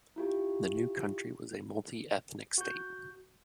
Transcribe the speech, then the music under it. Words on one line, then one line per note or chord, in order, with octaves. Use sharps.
The new country was a multi-ethnic state.
E4 F4 G4
F#4 G6